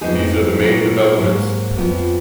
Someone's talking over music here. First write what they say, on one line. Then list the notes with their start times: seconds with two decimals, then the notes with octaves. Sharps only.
These are the main developments.
0.01 F2 F3 B3 D#4 G#4
0.59 A#2 F#3 B3
1.18 G#2 F#3 A#3
1.77 F2 F3 B3 F4